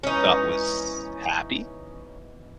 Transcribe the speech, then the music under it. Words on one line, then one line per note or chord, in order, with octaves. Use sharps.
you thought was happy?
G#2 B2 E3 C#4 D#4